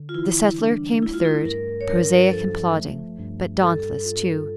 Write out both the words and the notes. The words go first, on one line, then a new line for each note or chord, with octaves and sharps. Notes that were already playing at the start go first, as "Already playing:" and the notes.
The settler came third, prosaic and plodding, but dauntless too.
Already playing: D3
F4
E3 E4
G3 D4
A3 E4
F4
E4
G2 A#4
C#5
G2 A#4
F3 A4
A3
G2
G3 A4
F4